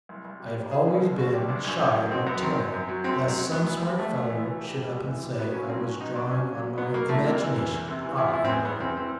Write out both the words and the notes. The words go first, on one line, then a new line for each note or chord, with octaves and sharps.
I have always been shy about telling it, lest some smart fellow should up and say I was drawing on my imagination: I am not.
C2
C2
G3
G3
G3 G#4
B2
C2
B2 F#4
C2 G4
C2 D4
F#2 C#4
F#2
D#3
F#3 C4
F#2 B3
D#3 C4
F#2
F#2
F#3
F#2 C4
F#3
C4
F#3
D2 B3
E3
G3
D2 A3
D2
E3
E3
G3
G3
D2
E3
G3
F#3 B3
F#3 C#4
A2 C4
F#3 C#4
F#3 D#4
F#3 D4
F#3 C#4
F#3
F#3
F#3 B3
F#3 A#3
A2 A3
C3 A#3
E3
E3
E2
C3
E3
E2 E4
F4
E2 E4
C4
E2 B3
E2 B3
E2 C4
E3 C4